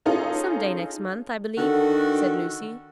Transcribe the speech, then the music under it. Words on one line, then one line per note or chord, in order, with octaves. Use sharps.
"Some day next month, I believe," said Lucy.
C#4 D#4 F4 G#4 A4
D3 D#3 F#4 A4